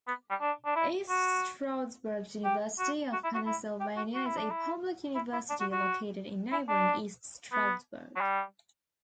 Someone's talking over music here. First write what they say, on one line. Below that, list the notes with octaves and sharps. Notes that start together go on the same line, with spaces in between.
East Stroudsburg University of Pennsylvania is a public university located in neighboring East Stroudsburg.
B3
G3
D4
D4
E4
F#4
G4
F#4
F#4
E4
F#4
E4
G4
F#4
F#4
E4
D4
E4
E4
E4
D4
F#4
F#4
E4
D4
B3
F#3
G3